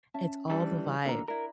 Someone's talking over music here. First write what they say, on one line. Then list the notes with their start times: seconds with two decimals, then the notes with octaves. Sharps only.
it's all the vibe.
0.14 C#4 E5 A5
0.50 E3 G3 D4 A4
1.05 D3 A#3 F4 A#5
1.28 D4 E4 A#4 A#5